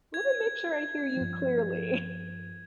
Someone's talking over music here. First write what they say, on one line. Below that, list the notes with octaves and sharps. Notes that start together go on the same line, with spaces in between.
Let me make sure I hear you clearly.
G#6
G2 F3